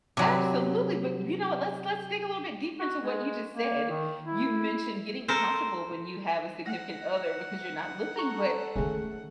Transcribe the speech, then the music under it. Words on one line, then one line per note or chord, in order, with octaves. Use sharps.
Absolutely, but, you know, let's let's dig a little bit deeper into what you just said. You mentioned getting comfortable when you have a significant other because you're not looking, but
C3 F#3
F#4
G#3
A#3
D#3
E4
A4 A#4 C5
F#5 A#6
A4 A#5 C#6
D#3 G#3 A3 C#4 D#4